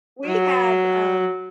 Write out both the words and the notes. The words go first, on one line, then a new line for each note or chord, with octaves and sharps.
We had, um
F#3